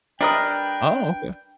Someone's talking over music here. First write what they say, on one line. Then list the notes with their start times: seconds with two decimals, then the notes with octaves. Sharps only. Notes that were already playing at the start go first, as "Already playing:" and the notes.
Oh, okay.
0.21 G3 D4 A#4 B4 D#5 G5